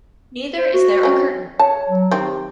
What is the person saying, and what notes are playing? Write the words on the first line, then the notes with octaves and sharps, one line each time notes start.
Neither is there a curtain.
C5
F#4
C4 C#4
C#5 A5
F#3
D#3 C4 G4